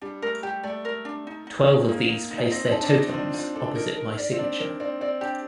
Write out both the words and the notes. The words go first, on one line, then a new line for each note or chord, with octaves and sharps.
Twelve of these placed their totems opposite my signature.
G3 D4
A3 A#4
G3 G4
A3 D5
A#4
D4
D#4
D#4
D#4
A#3 D#4
D#4
D#4
C4 D#5
D#4
A5
D4
D#5
D#4
C4
D4 F4
C4 F4
D4 A4
D#4 A#4
A#4
D5
C4
D4 D5
D4 A#4
C4 D5
C4 D5
D4 G4